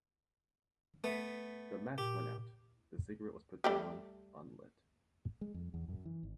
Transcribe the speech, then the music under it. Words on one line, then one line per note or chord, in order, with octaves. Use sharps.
The match went out, the cigarette was put down unlit.
A3 B3
A#2 G4
G3 A3 G4
G#3
F2
E2
F#2
E3
G#1